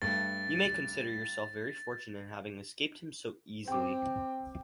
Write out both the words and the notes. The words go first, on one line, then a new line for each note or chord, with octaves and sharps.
You may consider yourself very fortunate in having escaped him so easily.
G2 A3 A6
C4 G5 D6